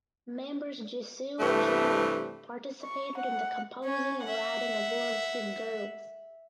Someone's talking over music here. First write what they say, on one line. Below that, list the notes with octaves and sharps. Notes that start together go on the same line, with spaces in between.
Members Jisoo and Jennie participated in the composing and writing of "Lovesick Girls".
G2 C3 E3 A3
C#6
F#5
C#4 C#5
E5 F#5